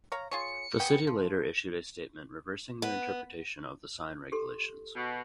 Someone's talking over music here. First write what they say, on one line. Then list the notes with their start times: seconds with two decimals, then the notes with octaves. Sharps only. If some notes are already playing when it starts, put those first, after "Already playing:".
The city later issued a statement reversing their interpretation of the sign regulations.
0.12 C#5 F5 A#5
0.31 F4 G#4 C#5 C#7
0.80 B3 G#4 G5
1.07 F3
2.82 B3
4.32 G4 A4 C6
4.96 B2